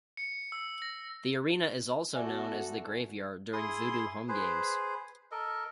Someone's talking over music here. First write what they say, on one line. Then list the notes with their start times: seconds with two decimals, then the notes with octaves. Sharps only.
The arena is also known as "The Graveyard" during Voodoo home games.
0.17 C#7
0.52 E6
0.82 A#6
2.15 B3 F#4 A4 D5 E5 G#5
3.53 E4 G#4 C6 D#6
4.29 G#4 B4 C5
5.31 A4 A#4 D#5